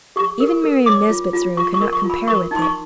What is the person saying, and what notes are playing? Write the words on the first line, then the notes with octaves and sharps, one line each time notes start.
Even Miriam Nesbit's room could not compare with it.
G4 C#6
A#4
A#4
C#5 D6
F4
F4
F4 C#6
C#6
A#4
C#6
F4
B5
A#4 C#6
D#4
C6
C#6